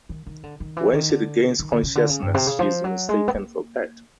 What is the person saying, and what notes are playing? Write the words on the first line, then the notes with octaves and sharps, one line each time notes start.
When she regains consciousness, she is mistaken for Pat.
D#3
D#3
D3
D#3
E3
D#3
D3
D#3
D3
C#3
D3
C#3
G2
C3
C#3
F3
F#3
G#3
B3
A#3